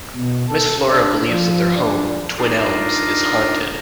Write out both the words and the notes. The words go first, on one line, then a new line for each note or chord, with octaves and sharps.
Miss Flora believes that their home, Twin Elms, is haunted.
B2
A4
D4
F3
D4
D4 D#4 F4 A#4